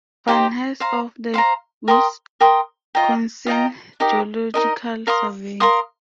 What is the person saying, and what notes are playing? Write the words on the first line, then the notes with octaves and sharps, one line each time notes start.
Van Hise of the Wisconsin Geological Survey.
D#4 G4 C5 G5
C5 F5 A#5
C5 F5 A#5
A#4 G5 C6 D#6
A#4 G5 C6 D#6
F4 D#5 G5 A#5
F4 D#5 G5 A#5
D#4 G4 A#4 D#5
D#4 G4 A#4 D#5
A#4 F5 C6 D#6
A#4 F5 C6 D#6